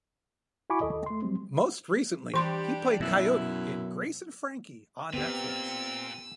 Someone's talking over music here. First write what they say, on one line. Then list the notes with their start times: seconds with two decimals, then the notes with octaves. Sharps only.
Most recently, he played Coyote in "Grace and Frankie" on Netflix.
0.70 E4 F#4 G#5 B5 C#6 D6
0.81 D#2 A4 D#5
1.06 A3 C6
1.22 F#3 G3 C4
2.34 E3 G3 D4 G4 C6
3.00 F#2 B2 F#3 E4
5.13 A#2 B3 C4 G4 E6